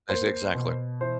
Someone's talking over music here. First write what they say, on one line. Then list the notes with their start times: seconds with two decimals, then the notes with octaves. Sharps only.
Ex exactly.
0.09 A#3 C5
0.55 B2
1.01 E3 C5